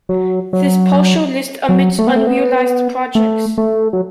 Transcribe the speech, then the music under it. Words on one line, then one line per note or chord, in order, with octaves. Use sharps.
This partial list omits unrealized projects.
F#3
F#3
F#3
A3
B3
A3
B3
A3
A3
F#3